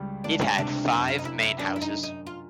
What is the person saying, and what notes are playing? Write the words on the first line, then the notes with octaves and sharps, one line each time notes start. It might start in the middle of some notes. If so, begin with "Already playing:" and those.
It had five main houses.
Already playing: C#2 G3
C#2 D4
C#4
C3 D4
F#2 E4
F4
D#4
F#2 E4
E4
F#2 D4
E4
D#4
F#2
D#4
F4